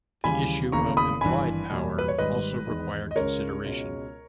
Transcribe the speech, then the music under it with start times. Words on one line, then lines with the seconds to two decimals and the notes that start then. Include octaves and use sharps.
The issue of implied power also required consideration.
0.24 D#2 C#3 E3 G3 G#5 B5
0.72 E1 D#2 C#3 E3 A#3 A#5 C#6
0.97 B5 D#6
1.21 G#1 G2 E3 G#5 B5
1.70 E2 B2 G3 A#3
1.99 B4
2.08 C#5
2.19 G#1 G#2 G3 B4 D#5
2.67 E2 D#3 G#3
3.11 D#5
3.16 C#2 C#3 G#3 A#4 C#5
3.64 C#2 B2 G#3